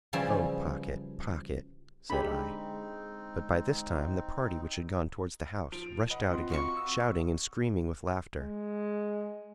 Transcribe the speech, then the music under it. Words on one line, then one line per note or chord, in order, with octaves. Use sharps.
"Oh, Pocket, Pocket," said I; but by this time the party which had gone towards the house, rushed out again, shouting and screaming with laughter.
C#3 E3 F3 G3 E4 G#4
D3 G#3 C4 D#4 G4 B5
F3 D7 F7
B4 D#5 F#5
C4 F4 C6
F#4 F5 C#6
D#6 E6
G#3